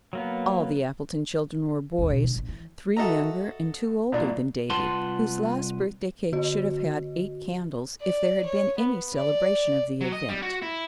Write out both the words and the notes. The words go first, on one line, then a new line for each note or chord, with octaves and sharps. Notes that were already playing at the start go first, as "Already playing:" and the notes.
All the Appleton children were boys,--three younger and two older than Davy, whose last birthday cake should have had eight candles if there had been any celebration of the event.
F#3 A#3 B3
A1 D#2
B1 G3
D3
A1
E3
F#4 A4 D#5 E5 A#5
C2 A#2 D4
C2 F4 B4 F#5 A5 C6
D3 F#4 D#5
D5
C#5
B3
D5
F#3
D#5
G3
F#4
E4